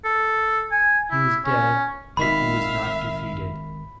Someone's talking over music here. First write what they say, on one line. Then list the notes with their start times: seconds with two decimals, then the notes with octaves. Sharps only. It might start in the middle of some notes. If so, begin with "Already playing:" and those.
He was dead, but he was not defeated.
0.05 A4
0.72 G#5
1.11 E4
1.45 C#4
2.17 G#1 D#3 E5 F5 B5 B6